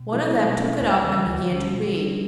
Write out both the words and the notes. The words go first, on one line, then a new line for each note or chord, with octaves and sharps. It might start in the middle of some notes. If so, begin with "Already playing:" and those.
One of them took it up and began to read.
Already playing: B2
F#3 A3 E4 A4
B2
A3 C#4 E4
E2
C#3 E3 G3
D2
D3 G3 C#4 F#4
B2
G3 D4